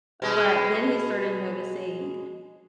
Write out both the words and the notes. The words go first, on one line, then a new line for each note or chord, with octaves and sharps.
But then he started noticing
B2 G#3